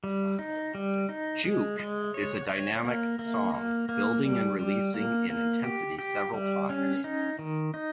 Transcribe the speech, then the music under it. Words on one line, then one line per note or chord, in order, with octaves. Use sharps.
"Juke" is a dynamic song, building and releasing in intensity several times.
G3
D#4
G3
D#4
G#3
G#3
C#5
C#5
A#3
A#3
A#3
A#3
G3
G3
A#3
A#3
G4
G4
G3
C#4
D#4
D#3
D#4